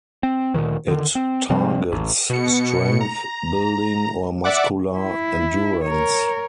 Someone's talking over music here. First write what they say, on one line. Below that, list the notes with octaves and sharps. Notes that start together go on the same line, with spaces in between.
It targets strength building or muscular endurance.
C4
D2 A#2 D#3 E3
D3 D#3
C4
C3 F3 G3 C4
A1
B2 C#7
A#5
D5 E5 F#5 D6
E4
A#4 C#5